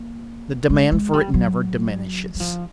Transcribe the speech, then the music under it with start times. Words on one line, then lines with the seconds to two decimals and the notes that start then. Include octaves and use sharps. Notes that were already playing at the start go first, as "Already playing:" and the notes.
The demand for it never diminishes.
Already playing: A#3
0.70 G#3
0.92 G#3
1.13 G3
1.34 F#3
2.35 F#3
2.40 F3